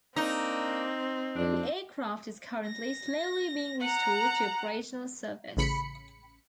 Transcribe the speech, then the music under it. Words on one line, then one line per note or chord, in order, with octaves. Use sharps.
The aircraft is currently, slowly being restored to operational service.
A#3 C4 D4 D#4
F2 D4
A#6
F#5 A#5
A1 C#3 B5 C#7